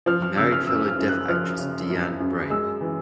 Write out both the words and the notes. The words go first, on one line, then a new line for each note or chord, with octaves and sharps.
He married fellow deaf actress Deanne Bray.
F3 F6
F6
C#3 E6
F6
F#2 E6
F6
F#2
F#6
F3 F6
C#3
F#2
F#2
G#3 E6
E3